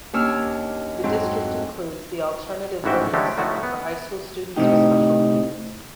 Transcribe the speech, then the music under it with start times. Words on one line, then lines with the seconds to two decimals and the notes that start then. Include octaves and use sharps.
The district includes the Alternative Learning Center for high school students with special needs.
0.13 D#2 C#4 D4 C#5 E6 F6
1.03 F2 G#2 F#3 C4
2.84 A1 G#2 E3 F#4 E5 G5
3.13 D3 F#3 G#3 A3 G4 A4
3.37 D#3 F3 A3 E4 F#4
3.63 B3
4.56 A2 C3 D#4 G4